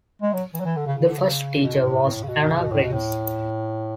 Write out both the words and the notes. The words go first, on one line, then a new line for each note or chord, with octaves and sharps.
The first teacher was Anna Grimes.
G#3
F#3
E3
F#3
E3
D3
C#3
C#3
D3
C#3
B2
A2
C#3
B2
C#3
B2
A2
B2
A2